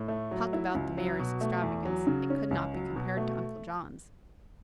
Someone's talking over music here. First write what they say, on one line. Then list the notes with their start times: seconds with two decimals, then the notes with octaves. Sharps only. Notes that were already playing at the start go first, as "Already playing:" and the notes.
Talk about the Major's extravagance: it could not be compared to Uncle John's.
Already playing: A2
0.08 A3
0.31 F#3
0.53 E4
0.75 C#2
0.98 F#3
1.19 B2
1.41 A3
1.63 E2
1.85 F#3
2.07 C#3
2.30 C#4
2.51 C#2
2.74 F#3
2.96 B2
3.17 A3